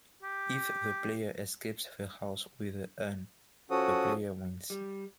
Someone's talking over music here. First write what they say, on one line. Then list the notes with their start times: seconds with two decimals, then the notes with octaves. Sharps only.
If the player escapes the house with the urn, the player wins.
0.23 G4
3.71 F3 C#4 F#4 A4 D#6
4.70 G3